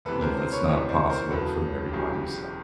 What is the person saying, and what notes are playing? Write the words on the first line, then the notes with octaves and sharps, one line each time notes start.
you know, it's not possible for everybody, so
D2 C3 E3 A4 B4
A#4 C5
A#4 C5
B4 C#5
D2 C3 E3 C#5 D#5
C5 D5
A#4 C5
E1 E2 C#3 F#3 A4 B4
G4
E1 E2 C#3 F#3 G#4
G4